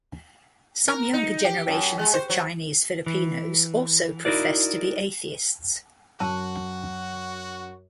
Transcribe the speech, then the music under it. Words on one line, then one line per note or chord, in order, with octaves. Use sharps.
Some younger generations of Chinese Filipinos also profess to be atheists.
A#4
D#4
G4
F#2
G#3
C5
F#3
E3
D#4 E4 F#4 A#4 D5
F#2 F#4 A5